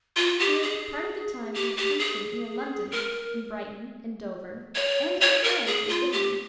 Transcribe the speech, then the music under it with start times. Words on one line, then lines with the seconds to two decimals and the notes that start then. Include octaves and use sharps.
He lived part of the time in the country near London, in Brighton, in Dover, and in France and Italy.
0.16 F4
0.39 G4
0.63 G#4
1.54 G4
1.77 G4
1.99 G#4
2.92 A#4
4.75 C#5
5.21 C#5
5.44 A#4
5.66 G#4
5.89 F4
6.12 G4